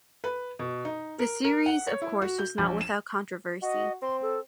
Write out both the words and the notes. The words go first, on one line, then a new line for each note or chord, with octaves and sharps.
The series of course was not without controversy.
B4
B2
D#4
A#4
A#4
F#5
C#5
E4
F#4
G6
A#1
E7
F#4 D#5
C4 C6
A4